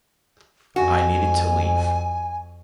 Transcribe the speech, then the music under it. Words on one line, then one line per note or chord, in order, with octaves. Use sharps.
I needed to leave.
F2 F#4 G#5